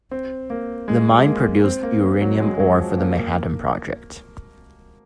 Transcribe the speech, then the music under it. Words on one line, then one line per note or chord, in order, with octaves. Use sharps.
The mine produced uranium ore for the Manhattan Project.
C4
A#3
G#3
G#3
A#3
C4
A#3
F#3
G#3
G#3
F#3
F3
A#3
A#3